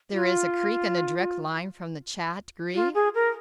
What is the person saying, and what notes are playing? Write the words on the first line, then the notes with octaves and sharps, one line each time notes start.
"There is a creek in a direct line from the 'Chat Gris'?"
F4
F4
G#4
A#4